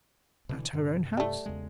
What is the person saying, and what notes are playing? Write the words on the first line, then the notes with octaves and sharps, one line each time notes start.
"At her own house?"
B2 D3 E3
G2 C3
G3 A3
E2 C#3 G#3